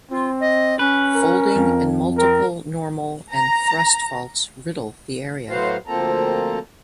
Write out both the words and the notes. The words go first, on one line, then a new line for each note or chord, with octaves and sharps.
Folding and multiple normal and thrust faults riddle the area.
C4 F4
D#5
C#4 B4
A#4
F2
C4 A#4
A#5
A2 F#3 B3 F#4 C5 F5
D2 F3 A#3 C4 A4 A#5